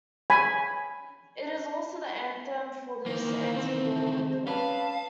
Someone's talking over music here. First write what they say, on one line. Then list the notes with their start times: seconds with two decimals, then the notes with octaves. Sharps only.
It is also the anthem for this anti-war movement.
0.30 G#5 B5
3.06 D#3 E3 A#3 C5
3.56 C4
4.47 C#4 B4 F5 A5